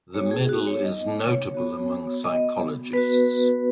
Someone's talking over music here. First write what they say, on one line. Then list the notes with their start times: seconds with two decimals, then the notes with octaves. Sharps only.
The medal is notable among psychologists.
0.14 B3 D#4 F#4 C#5
0.31 G#4
0.49 F#4
0.67 C#5
0.84 D#5
1.19 C#5
1.54 B3 F#4
2.24 D#5
2.93 B3 F#4 B4